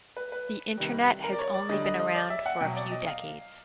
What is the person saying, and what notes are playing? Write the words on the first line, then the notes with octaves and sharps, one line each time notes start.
The internet has only been around for a few decades.
B4
B4
C3 D#3 G3
A#4
D5
C#5
D5
D3 G3 D#5
D#5
D#5
D5
E5
F#5
B2 F#3 G5
D5
D#5
F5